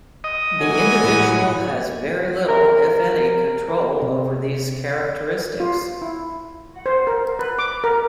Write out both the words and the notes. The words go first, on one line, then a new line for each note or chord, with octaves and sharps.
The individual has very little, if any, control over these characteristics.
D#5
E3 F#3 G#5
A2 E4 F#5
A#4
C3
F4
E4
C5
A#4
B4
D6
A#4